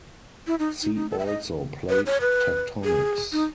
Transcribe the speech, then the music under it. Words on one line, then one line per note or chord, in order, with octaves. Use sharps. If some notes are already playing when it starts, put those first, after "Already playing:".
See also Plate tectonics.
E4
D#4
D#4
D#4
A4
E5
D#5
B4
C#5
B4
G#4
D#4